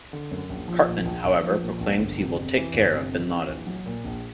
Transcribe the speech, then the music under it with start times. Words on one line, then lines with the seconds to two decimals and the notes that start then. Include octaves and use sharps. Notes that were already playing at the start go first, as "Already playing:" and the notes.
Cartman, however, proclaims he will "take care" of Bin Laden.
0.13 D3
0.31 F#2
0.50 A#1
0.68 F3
0.87 A#2
1.05 A#1
1.25 A#1
1.43 F3
1.62 A#2
1.80 A#1
1.99 G1
2.18 C3
2.36 F2
2.56 E3
2.74 G1
2.93 C3
3.12 F2
3.30 E3
3.48 A#1
3.67 F#3
3.86 A#2
4.05 A#1